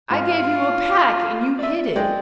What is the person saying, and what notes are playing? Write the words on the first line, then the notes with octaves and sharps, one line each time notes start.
I gave you a pack and you hid it.
G#2 F4
D5 E5
G#3 D5 G5